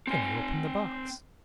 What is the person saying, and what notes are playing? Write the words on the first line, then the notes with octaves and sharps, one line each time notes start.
Then he opened the box.
C4 G#5